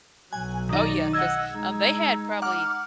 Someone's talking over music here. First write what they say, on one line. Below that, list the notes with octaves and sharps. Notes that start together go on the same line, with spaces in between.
Oh yeah, 'cause, um, they had probably
B1 F#3 G#5 F#6
D#3 D#4 D5
D#5 F#5 E6 G#6
G#3 D#4
F#5 D6 F6